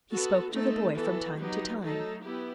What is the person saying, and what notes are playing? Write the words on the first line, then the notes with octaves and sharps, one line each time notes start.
He spoke to the boy from time to time.
B3 F#4 A4
A3 C4 D#4 A4
E3 B3 F#4 A4
F#3 B3 D#4 G4
F#3 A3 D#4 A4
B3 E4 G4